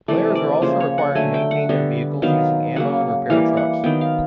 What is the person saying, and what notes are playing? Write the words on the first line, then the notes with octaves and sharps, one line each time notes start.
Players are also required to maintain their vehicles using ammo and repair trucks.
C3 E3 A3 D5
D5
C#3 F3 A#3 C5
C#5
F#5
D3 F#3 A3 G#5
G5
F#5
D3 G3 B3
D#3 F#3 B3 F5
C#3 F#3 A#3 F#5
E3 G3 A#3 F5
F#5
D#3 F#3 B3 G5
F5